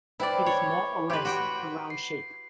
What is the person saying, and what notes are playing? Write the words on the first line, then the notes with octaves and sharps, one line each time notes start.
It is more or less a round shape.
E4 B4 C5 D5 G5
C#5 C#6
G4 B4 C6
F#4 G5
C7